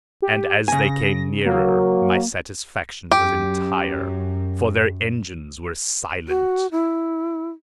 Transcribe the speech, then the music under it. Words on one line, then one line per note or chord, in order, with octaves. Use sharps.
And as they came nearer, my satisfaction was entire; for their engines were silent!
G4
C#3 G#5 A#6
F#3 A#3
F#2 G4
F#4
E4